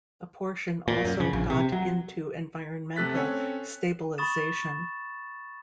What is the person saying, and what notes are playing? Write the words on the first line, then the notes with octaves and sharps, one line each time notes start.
A portion also got into environmental stabilisation.
A#2
F#2
C#3
A#1
C3
F#3
C3 A3 A4 F#6 A6 B6
C4 C#4 A4 C#5
B5 C#6 D#6 A6 E7